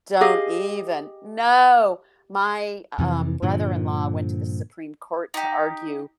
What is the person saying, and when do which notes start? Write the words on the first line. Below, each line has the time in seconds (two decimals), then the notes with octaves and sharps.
don't even. No! My um, brother-in-law went to the Supreme Court to argue
0.21 G4 G#4 D#5 F5
2.99 F2 C3 E3
3.42 G2 A#2 D3 F3
5.34 D#4 G4